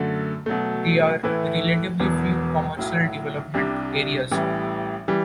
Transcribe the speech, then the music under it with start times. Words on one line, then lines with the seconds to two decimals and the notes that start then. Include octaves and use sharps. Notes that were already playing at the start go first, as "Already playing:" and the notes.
There are relatively few commercial development areas.
Already playing: F#2 D3 A3
0.46 B2 F#3 A3
1.23 A2 E3 A3 E4 B4
2.00 E1 E2 B2 F#3 B3
2.77 B1 A2 F#3
3.54 C2 C3 G3 D4
4.31 A1 A2 E3 G3
5.08 E3 G3